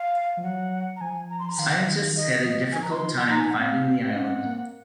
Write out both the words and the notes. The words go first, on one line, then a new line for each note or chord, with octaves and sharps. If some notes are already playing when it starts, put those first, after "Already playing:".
Scientists had a difficult time finding the island.
Already playing: F5
F3
F#3 F#5
A#5
F3 G#5
A#5
C6
A#5
D#3 F5
D#3
D#5
F3
G#5
A#5
F3 C6
D#3
F3
D#4 A#5
G#5
F#5
C4 F5
F5
C#4 F#5
C4
A#3